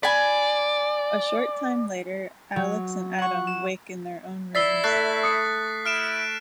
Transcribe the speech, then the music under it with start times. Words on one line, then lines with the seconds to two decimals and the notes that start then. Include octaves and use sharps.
A short time later, Alex and Adam wake in their own rooms.
0.03 D5 G#5 B5
2.56 F#3
3.18 F#5 C#6
3.47 E7
4.55 E4 D5 E6 A6 B6 C7 G7
4.84 A3 F#6 A6 C7
5.23 D#6 C#7
5.86 E4 F6 D7 E7